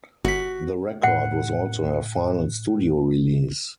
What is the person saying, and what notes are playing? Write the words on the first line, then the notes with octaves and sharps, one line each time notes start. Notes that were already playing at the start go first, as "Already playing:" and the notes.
The record was also her final studio release.
G1 F#4 B6
A2 F#5 F#6 C#7